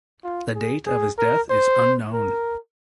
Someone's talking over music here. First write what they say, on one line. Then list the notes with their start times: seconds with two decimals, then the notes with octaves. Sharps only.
The date of his death is unknown.
0.24 F4
0.55 G#4
0.87 G#4
1.18 A#4
1.50 C5
2.13 A#4